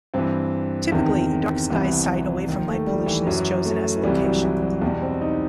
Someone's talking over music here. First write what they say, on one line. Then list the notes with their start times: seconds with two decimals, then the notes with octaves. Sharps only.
Typically a dark sky site away from light pollution is chosen as a location.
0.14 G2 E3 C4
0.92 E2 C3 D#3
1.70 C2 C3 E3 B3
2.48 D#2 D#3
2.68 A3
2.87 G3
3.06 E3
3.27 F#2 E3 F#3
3.65 A3
4.04 C2 C3 E3 G3
4.23 F#3
4.43 E3
4.62 F#3
4.81 E2 B2 G3
5.02 C4
5.21 D#4